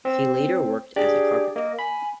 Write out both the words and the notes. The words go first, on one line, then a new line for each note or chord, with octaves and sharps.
He later worked as a carpenter.
C4
D4 G4 G#4 D5
A#3 D#5
G#5 B5